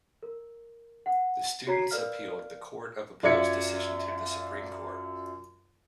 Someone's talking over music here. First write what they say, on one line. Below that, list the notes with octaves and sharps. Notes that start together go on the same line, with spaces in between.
The students appealed the Court of Appeal's decision to the Supreme Court.
A#4
F#5
F#4 C#5 A#5 G#6 B6 C7
A#4 B4 D5 F5 F6
F#2 F4 D5 E5 G#6 C#7